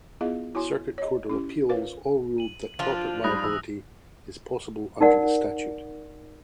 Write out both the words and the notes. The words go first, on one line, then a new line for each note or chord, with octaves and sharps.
Circuit Court of Appeals all ruled that corporate liability is possible under the statute.
B3 E4 F4 G#4 D#5 F5
E4 F#4 C#5 G#5 C6
C#5 D#5
C#4 E4 G4
F4 A#4 B4 C#5 F5
D#7 F#7
F3 D4 F4 F7
G#2 G3 B5 D#6 F#6 A#6
E2 E6
D#4 A#4 D5 F#5